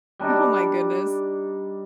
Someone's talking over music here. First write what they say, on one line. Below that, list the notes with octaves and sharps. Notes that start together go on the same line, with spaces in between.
Oh my goodness.
G3 D4 D#4 D5